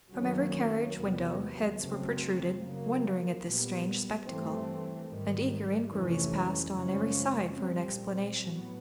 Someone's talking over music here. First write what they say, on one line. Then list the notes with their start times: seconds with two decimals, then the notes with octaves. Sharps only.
From every carriage window heads were protruded, wondering at this strange spectacle; and eager inquiries passed on every side for an explanation.
0.13 F#2 D#3 F#3 A#3 C#4
0.95 E2 C3 D#3 F#3 B3
1.78 F#2 C#3 F#3 A3 C4
2.60 C#3 F#3 A#3
3.44 A#2 G3 B3
4.26 G2 E3 A3 C4
5.08 G#2 D#3 G3
5.91 F2 C3 E3 A3 C#4
6.74 F#2 C#3 F3 G#3 C#4
7.56 A#2 G3 C4
8.39 A2 F#3 B3